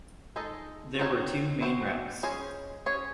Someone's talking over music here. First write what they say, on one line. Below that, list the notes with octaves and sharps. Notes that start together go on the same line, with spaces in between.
There were two main routes.
G#3 D#4 A4 D#5
F#3 C4 D#4 F#4 C#5
G#3 C4 F#4 C5
C#4 G#4 C5 D#5
C#4 G#4 C#5